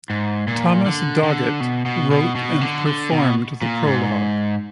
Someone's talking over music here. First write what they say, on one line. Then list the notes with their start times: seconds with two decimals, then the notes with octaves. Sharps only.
Thomas Doggett wrote and performed the prologue.
0.10 G#2
0.47 A#2
0.86 D3
1.23 D3
1.60 B2
1.86 B2
2.11 B2
2.36 B2
2.61 D3
2.86 D3
3.11 B2
3.62 A#2
3.87 G#2